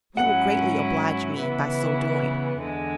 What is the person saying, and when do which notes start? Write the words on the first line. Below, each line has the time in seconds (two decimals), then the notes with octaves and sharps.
You will greatly oblige me by so doing.
0.17 G#2 F#3 C#4 E4 F#5
1.39 C#3 E3 B3 E4
2.60 E2 D3 G#3